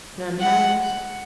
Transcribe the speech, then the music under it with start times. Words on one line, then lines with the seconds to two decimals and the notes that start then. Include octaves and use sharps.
"None has."
0.40 F#5